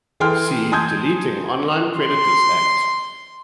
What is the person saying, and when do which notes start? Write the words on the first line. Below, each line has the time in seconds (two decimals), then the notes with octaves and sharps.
See Deleting Online Predators Act.
0.20 E3 G#4 A4 G5 C6 F6
0.72 G#5 A5 C6 D#6 G6 G#6
1.95 C6